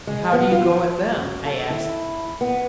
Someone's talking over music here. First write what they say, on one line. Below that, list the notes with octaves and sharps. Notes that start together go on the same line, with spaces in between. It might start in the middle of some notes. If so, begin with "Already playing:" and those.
"And how do you go at them?" I asked.
G#3
B3
F4
F3
F#2
A4
E4
B3